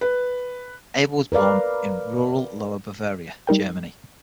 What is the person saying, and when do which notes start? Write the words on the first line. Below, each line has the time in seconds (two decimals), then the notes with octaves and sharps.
Abel was born in rural Lower Bavaria, Germany.
0.01 B4
1.32 A#4 B4 D5 F5
3.47 G3 D#4 A#4 G5